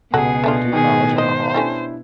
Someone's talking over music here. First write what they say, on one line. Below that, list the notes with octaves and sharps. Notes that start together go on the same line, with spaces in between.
"Two miles and a half."
C#2 B2 F#3 G#4 A4 F#5
A3 D4 F4
D#3 G#4
C5 D#5
G3 A3 C#4 D4 E4